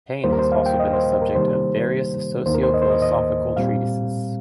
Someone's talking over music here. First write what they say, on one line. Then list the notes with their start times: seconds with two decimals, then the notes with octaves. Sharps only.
Pain has also been the subject of various socio-philosophical treatises.
0.24 D#2 D#3 G3 A#3 C5
0.33 A#4
0.39 C5
0.52 F5
0.66 G5
0.80 D#5
0.93 C5
1.22 A#4
1.35 F2 C3 D#3 G3 A#3 C5
2.46 D#2 D#3 A#3 C5
2.54 A#4
2.63 C5
2.74 D#5
2.82 C5
2.90 D#5
3.02 D#5
3.57 A#2 G3 C4 F5